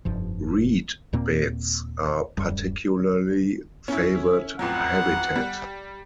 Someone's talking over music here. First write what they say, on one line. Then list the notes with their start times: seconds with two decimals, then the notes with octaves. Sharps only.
Reed beds are a particularly favoured habitat.
0.05 F1 G2 F3
1.13 D#2 A#2 A#3 C4
2.37 D1 F#2 G3
3.88 C#4 E4
4.59 A1 F2 F#3 F#5
5.36 G3